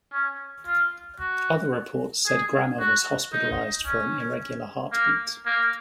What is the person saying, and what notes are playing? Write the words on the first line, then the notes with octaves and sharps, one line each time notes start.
Other reports said Grammer was hospitalized for an irregular heartbeat.
C#4
F4
F#4
G#4
F#4
D#4
C#4
A#3
A#3